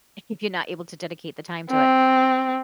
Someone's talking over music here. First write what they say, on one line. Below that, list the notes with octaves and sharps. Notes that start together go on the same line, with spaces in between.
if if you're not able to dedicate the time to it?
C4